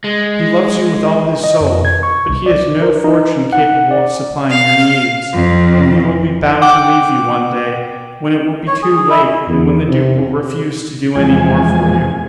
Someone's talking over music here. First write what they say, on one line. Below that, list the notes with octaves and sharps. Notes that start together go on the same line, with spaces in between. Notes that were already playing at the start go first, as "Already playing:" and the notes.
He loves you with all his soul, but he has no fortune capable of supplying your needs, and he will be bound to leave you one day, when it will be too late and when the duke will refuse to do any more for you.
G#3
D#5
F2
G#6
C#6
C2
D5
A#4
D#4
F#5
D5
F5
F2
F#5 G5 D6
C#5
G#4
G#4
E4
E2
C3
E2 F3 G#3 G#5